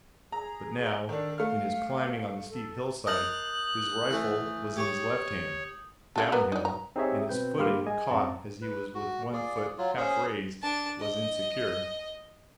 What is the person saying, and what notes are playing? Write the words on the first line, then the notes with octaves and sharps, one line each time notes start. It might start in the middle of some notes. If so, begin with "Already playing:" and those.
But now, in his climbing on the steep hillside, his rifle was in his left hand, downhill, and his footing, caught as he was with one foot half raised, was insecure.
G#4 A#5
D#3 D4 A4
A3 F5 F6
A4
A#4 D#5 A5 D#6 F#6 G6 F#7
E3 A3
G4 C#5 C#6
C#3 A3 A4
G3 B3 A#4
D#4 D5
A#5
C4 D#4 G4 G#4 C#5 E5
B2 C4 B4 G6
G2 A#3 G4 B5 C6 F6
G#4 D#5 G#5
F#2 C4 A5 A#5
B4
F#4
F4 G#4 D5
F#3 F4
C#4 G#4 C5
D4 A5
D#5